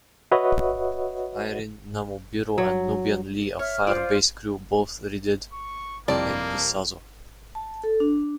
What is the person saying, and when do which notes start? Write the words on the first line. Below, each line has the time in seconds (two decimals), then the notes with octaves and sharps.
Iryn Namubiru and Nubian Lee of Fire Base Crew both re-did "Empisazo".
0.31 F#4 B4 C#5 D#5 E5 F#5
2.58 F#3
3.59 C#5 E5 F6
3.87 F4 C5 D5
5.53 C#6
6.08 C2 F2 A#3 C4 D5
7.55 A5
7.84 A4
8.00 D4